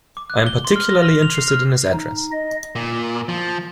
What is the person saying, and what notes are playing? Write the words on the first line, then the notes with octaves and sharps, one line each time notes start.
I am particularly interested in his address.
D6
F#6
G7
C6
F6
A#6
A#6
F7
C7
F6
D#4
D#5
A#2
F3